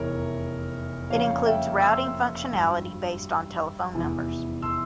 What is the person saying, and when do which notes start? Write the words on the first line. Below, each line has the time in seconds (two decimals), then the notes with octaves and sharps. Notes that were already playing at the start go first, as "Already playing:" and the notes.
It includes routing functionality based on telephone numbers.
Already playing: F1 E2 E3 A#4 C#5
1.10 F2 C#3 F3 A#3 C#5 F5
1.45 E5 G5
1.80 C6 E6
2.51 G#1 G2 G3
3.92 F1 E2 E3
4.62 C6 E6